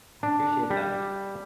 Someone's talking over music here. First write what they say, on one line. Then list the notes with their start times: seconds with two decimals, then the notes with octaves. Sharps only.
I appreciate that.
0.23 D4
0.70 G3